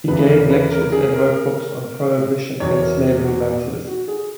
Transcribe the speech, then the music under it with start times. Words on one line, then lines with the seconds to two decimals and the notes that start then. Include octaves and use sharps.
He gave lectures and wrote books on prohibition and slavery matters.
0.08 E2 C#3 E3 B4
0.29 A#4
0.50 B4
0.71 A#4
0.92 G#4
1.13 A#4
2.60 E2 B2 C#5
2.82 A#4
3.24 F#4
3.87 F#4
4.08 G#4